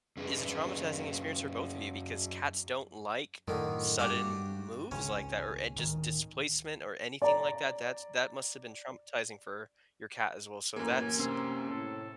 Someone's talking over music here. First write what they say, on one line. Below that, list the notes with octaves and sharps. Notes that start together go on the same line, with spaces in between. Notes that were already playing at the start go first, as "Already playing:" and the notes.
is a traumatizing experience for both of you because cats don't like sudden m moves like that or an just displacement or anything like that. That's that must have been traumatizing for your cat as well, so, that's
F#2 C#4 G#4 B4
F#2 A2 D3 D#3
G2 D4 F#4 G4
G#1 C#2 C#4
D1 D#3
D5 A#5
A1 F#2 A#3 G#5
C3 C#4 C6 E6
A2 A4